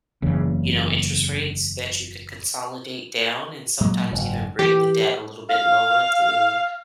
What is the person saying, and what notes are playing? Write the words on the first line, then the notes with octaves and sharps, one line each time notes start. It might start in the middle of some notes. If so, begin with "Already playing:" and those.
you know, interest rates that you could consolidate down and sometimes even bring the debt a little bit lower through,
F#1 E2 C#3
A#2 F#3 G#3
F#1 G#2
E3 G4
F5